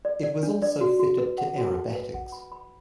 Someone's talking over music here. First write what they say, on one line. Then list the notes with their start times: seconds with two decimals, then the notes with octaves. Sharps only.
It was also fitted to aerobatics.
0.05 D5
0.23 D5
0.43 D4
0.62 D5
0.81 F#4
0.99 F#4
1.18 B4
1.38 F#5
1.57 F#4
1.76 A5
1.95 B4
2.14 F#5
2.32 B5
2.52 B5